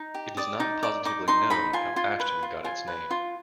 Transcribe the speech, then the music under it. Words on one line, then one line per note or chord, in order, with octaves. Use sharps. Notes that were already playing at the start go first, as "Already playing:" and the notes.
It is not positively known how Ashton got its name.
Already playing: D#4
G4
D5 D#6
D#4
D5 D6
D#4 D6
D#4 C6
D#4 B5
F4 G#5
F4
B4
F4
F4 G#5
B4
F4